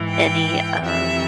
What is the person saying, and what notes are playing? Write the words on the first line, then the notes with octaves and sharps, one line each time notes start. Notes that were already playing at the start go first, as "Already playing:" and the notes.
any, um,
Already playing: G#2 E3
G5
F2 C3 E3 E5